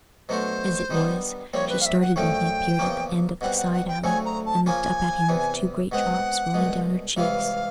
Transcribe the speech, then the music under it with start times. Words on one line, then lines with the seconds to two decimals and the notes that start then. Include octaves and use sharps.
As it was, she started when he appeared at the end of the side-alley, and looked up at him with two great drops rolling down her cheeks.
0.29 B2 F#3 A3 D4 F#4 C5
0.90 D#3 G3 B3 D4
1.53 A#1 A#2 G3 C4 C#5
1.69 B4
1.80 F5
1.85 E5
2.01 F#5
2.16 F#2 D3 F3 A3 C#4 G5
2.79 E2 C#3 F3 A#3 C#4
3.41 B2 G3 C4 F#5
3.57 F#5
3.72 F#5
3.88 G5
4.04 D2 C#3 F#3 A3 C4 G#5
4.25 A#5
4.45 A5
4.66 C#3 F3 A#3 C#4 F4 G#5
5.29 E2 C3 E3
5.92 B2 G#3 C4 F#5
6.54 C2 B2 G#3
7.17 C#2 C3 E3 G3 F5